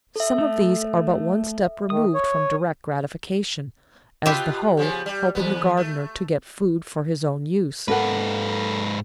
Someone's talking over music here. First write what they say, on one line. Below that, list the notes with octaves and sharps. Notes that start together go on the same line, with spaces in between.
Some of these are but one step removed from direct gratification, as the hoe helping the gardener to get food for his own use.
A4 E5
A3
D#3 D#6
C#5
B2 F4 G4 B4 E5
C#3 F3 B3
G3
E2 G2 B3
A3
G#2 A#3 A4 B4 F#5